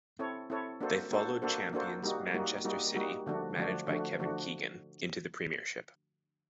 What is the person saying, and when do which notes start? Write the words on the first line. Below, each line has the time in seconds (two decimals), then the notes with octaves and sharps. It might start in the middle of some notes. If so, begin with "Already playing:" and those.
They followed champions Manchester City, managed by Kevin Keegan, into the Premiership.
0.19 C4 E4 A4 C#5
0.50 C4 E4 A4 C#5
0.81 A#3 D4 F#4 A4 C5
1.11 A#3 D4 F#4 A4 C5
1.42 A#3 D4 F#4 A4 C5
1.73 A#3 D4 F#4 A4 C5
2.03 G3 A#3 D#4 F#4
2.34 G3 A#3 D#4 F#4
2.64 G3 A#3 D#4 F#4
2.95 G3 A#3 D#4 F#4
3.26 D3 F3 A3 D4 F#4
3.56 D3 F3 A3 D4 F#4
3.88 D3 F3 A3 D4 F#4
4.19 D3 F3 A3 D4 F#4